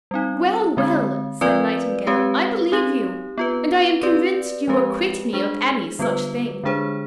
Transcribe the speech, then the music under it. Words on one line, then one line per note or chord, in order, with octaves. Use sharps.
"Well, well," said Nightingale, "I believe you, and I am convinced you acquit me of any such thing."
G3 C4 D#4
D3 G#3 C4
F3 C4 F4 B4 D5
G#3 C4 G4 B4
C4 D#4 G4
B3 F4 B4
C4 G4 B4 D5
F3 G#3 C4 G4 B4
G#3 D4 G#4 C5
D3 G3 B3 F4 B4
D3 G#3 D4 G#4 C5